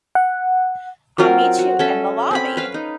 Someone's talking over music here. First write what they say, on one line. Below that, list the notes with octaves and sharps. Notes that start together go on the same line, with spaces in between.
I'll meet you in the lobby.
F#5
F#3 C4 F4 A#4
F#4
C#4 A4 E5
C4 C#4 B5
B4 F5
D#4